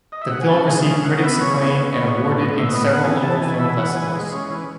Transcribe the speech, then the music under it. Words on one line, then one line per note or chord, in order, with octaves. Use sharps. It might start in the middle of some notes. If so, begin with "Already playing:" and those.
The film received critics acclaim and awarded in several local film festivals.
D#5
E5
F#5
G#5
C#3 A5
G#3 G#5
C#3
C#3 F#5
B3 E5
C#3 C#5
B3
B3
A2
B3
A2
A2
E5
B3 D#5
B3 F#5
E3 G#5
E3 A5
E3 G#5
E3 E5
E3 F#5
E3 G#5
G#3
C#4
E3